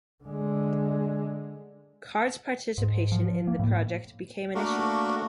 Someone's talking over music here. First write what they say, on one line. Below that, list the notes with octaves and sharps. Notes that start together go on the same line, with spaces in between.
Card's participation in the project became an issue.
D3 G#3
G#2
F3
A#3
A2
A3 A#3 D4 F#4 A#4